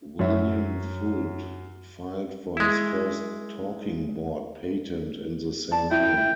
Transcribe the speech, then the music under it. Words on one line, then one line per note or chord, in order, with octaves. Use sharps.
William Fuld filed for his first talking board patent in the same year.
F#2 C#5 E5
G#3 E4
D5 A5
E4 G5
E4